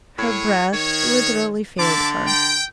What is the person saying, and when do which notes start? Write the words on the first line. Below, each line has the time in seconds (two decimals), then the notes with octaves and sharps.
Her breath literally failed her.
0.18 A2 G#4 C#5
0.73 D#3 C#5
1.79 D3 E5 A5 D6
2.27 G5